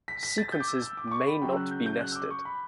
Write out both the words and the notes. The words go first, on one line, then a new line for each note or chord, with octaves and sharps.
Sequences may not be nested.
B6
B6
A6
G6
D6
E6
E6
D6
D6
C#6
B5
C#3 F#3 C#4 G5
E6
F#6
G6
G6
F#6
E6
D6
C#6
B5